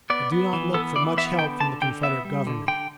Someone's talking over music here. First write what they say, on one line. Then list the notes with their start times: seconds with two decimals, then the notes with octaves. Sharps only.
I do not look for much help from the Confederate Government.
0.10 B3 D5
0.32 B3
0.53 E3
0.74 B3 A4
0.96 E3 D5
1.18 B3 E5
1.39 D3 G5
1.60 D3 A5
1.82 D3 G5
2.03 B3 E5
2.25 G3
2.47 D3
2.68 D3 G5